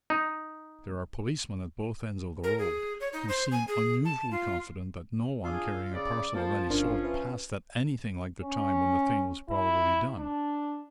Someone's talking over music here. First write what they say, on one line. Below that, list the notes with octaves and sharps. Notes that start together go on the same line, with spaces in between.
There are policemen at both ends of the road, who seem unusually confident that no one carrying a parcel of any sort passed at anything like the time when the thing was probably done.
D#4
A#4
G#4
C#5
D#4
C5
G#5
G#4
A5
F4
D4 F4 G#4 E6
C#3 D5
F3 A#3 C5 A5
G1 C#4 D4 F4 A#4
B4 E5
C#4
E4
D4